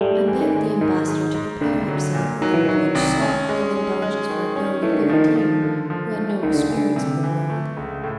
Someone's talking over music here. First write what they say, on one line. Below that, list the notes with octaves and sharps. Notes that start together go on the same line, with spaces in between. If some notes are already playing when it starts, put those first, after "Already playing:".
I begged the ambassador to prepare himself with a good stock of indulgence for a girl of fifteen who had no experience of the world.
G#2 G3 A3
E3
D#3
G#3
G#2 D#3
G#2
G#2
C2 D3
F#3
A#2
D#3 F#3
E3
D#3 F#3
C2
C#4
G#3
C#4
G#3
D#3
C#4
E3 A3
D#3
D3
D#3 F3
F3
D3
F3
A3
C#2 D#3
D3
E3
D3
C3
E3
A3
C#2
A2